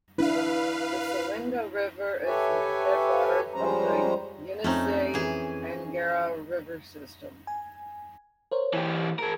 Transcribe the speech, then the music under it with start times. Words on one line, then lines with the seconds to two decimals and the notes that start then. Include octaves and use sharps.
The Selenga River is the headwaters of the Yenisei-Angara River system.
0.18 D4 E4 B4 F5
2.26 G4 A4 B4 C#5 E5 G#5
3.54 F3 G3 G#3 C#4 C5 A#5
4.64 F2 A3 C4 C#4 D#4
5.14 E3 G#4
7.47 G#5
8.52 A#4 C5 C#5
8.74 E3 G4
9.19 G#4 A#4